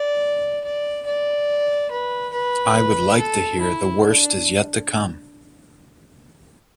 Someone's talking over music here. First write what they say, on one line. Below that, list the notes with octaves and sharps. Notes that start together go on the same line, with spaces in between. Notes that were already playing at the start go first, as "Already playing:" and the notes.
I would like to hear The Worst Is Yet To Come.
Already playing: D5
D5
D5
B4
B4
A4
E4
D4